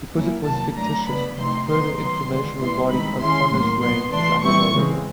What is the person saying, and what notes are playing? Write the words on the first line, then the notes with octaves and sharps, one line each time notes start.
Because it was fictitious, further information regarding O'Connor's reign is unavailable.
F#3 A#3 C#4 E4
C3 D#3 F#3 A#3 A5
F#3 A3 D4 A#5
C#3 F#3 B3 D4 B5
C3 F3 A3 C4 D#4 C6
F#3 B3 D#4 C6
D#3 F#3 B3 D#4 C6
D3 F3 G#3
A#2 G3 B3 E4 C6
D#3 G#3 C4 D#4 B5
D#3 G#3 C#4 E4 C6
A2 F#3 A#3
B2 F#3 B3 C6
E3 A3 D4 C6
E3 G3 C4 E4 C#6
C#3 E3 G#3 C4